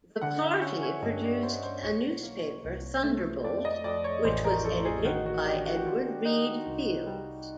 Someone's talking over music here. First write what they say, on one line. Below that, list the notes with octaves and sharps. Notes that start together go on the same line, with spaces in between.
The party produced a newspaper, "Thunderbolt", which was edited by Edward Reed Fields.
D3 F#5
E5
C#4
C#5
G2 D#5
D5
G2 C5
C#5
C5
B1 C#5
A#3
C2
A3
F2 D5
D#5
F2 D5
C#5
A1 C5
A#4
A1 A4
G#4
D#3 F#4
F#4
D4 G4
F#4
F#4
D#3 F4
D#4
C2
G3